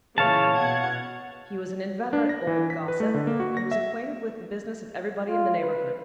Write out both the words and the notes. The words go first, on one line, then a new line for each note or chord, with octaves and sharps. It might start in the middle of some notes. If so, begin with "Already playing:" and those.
He was an inveterate old gossip, and was acquainted with the business of everybody in the neighborhood.
A#2 C#3 E3 C#5 F5 A5
B2 F#5 G#6
D4
A#6
E3
B6
B4
A3
D3
A#3
F#4
A#6
E5
F4
B4